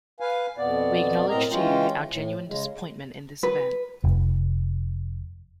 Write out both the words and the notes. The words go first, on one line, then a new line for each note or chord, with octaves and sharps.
We acknowledge to you our genuine disappointment in this event.
B4 F5 G#5
F2 B2 B3 D5
A2 C4 A#4 D#5 A#5
E3 G#3 C#4 F4 G5
A2
C#3 G#3
B4
F1